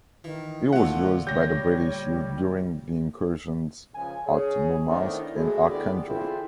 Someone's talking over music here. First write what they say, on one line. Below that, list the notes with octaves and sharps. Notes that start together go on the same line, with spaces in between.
It was used by the British during the incursions at Murmansk and Archangel.
D#3 E3
D2 A#2 A3 F4 F#5
G3 C#5 G6 A#6
C#2 C#3 F3 G#5
G#4 C#5
D#3 A3 B3 C4 D4 E4
G#3 A3 E4 F#4 G#4
D2 D3 B3 G4 G#4 D5
D3 E3 C4 E4 F4 G#4